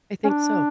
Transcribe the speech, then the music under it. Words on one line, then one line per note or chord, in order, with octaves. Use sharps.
I think so.
C#4
D4